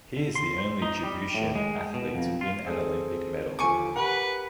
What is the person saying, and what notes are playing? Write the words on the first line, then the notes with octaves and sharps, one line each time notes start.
He is the only Djiboutian athlete to win an Olympic medal.
D3
C6
C5
D#4
G3
A2
G#3
B2
F2
F4
C4 G#4 A4
D#2 D3 F3 G#5 C#6 D6
G4 A#4 B4 F#5